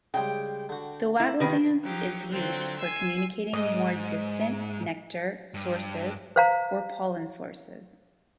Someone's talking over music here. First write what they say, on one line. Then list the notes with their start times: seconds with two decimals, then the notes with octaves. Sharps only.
The waggle dance is used for communicating more distant nectar sources or pollen sources.
0.14 C#3 G3 G#3 G5
0.69 D3 F#4
1.20 E4
1.40 C3 D#3 F3 B4
1.83 F3 F#3 D#4 G4
2.32 D3 F#3 C4 F4
2.78 G#5 C6 E6 G#6
3.53 G#2 D#5
5.54 G2
6.36 C5 F5 A#5